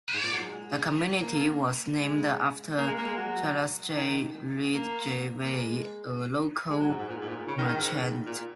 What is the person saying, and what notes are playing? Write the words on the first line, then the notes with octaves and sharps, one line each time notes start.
The community was named after Charles J. Ridgeway, a local merchant.
G#2
A#2
F#3
G#3
A#3
G#3
A#3
G#3
A#3
G#3
F#3
D#3
A#3
A#3
G#3
G#3
F#3
G#2
G#2
A#2
G#2
A#2
C#3
D#3
D#3
G#2
A#2